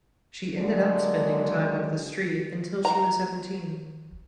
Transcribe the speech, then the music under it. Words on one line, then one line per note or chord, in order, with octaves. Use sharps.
She ended up spending time of the street until she was seventeen.
D3 F#3 G#3 A#3 D4
A#5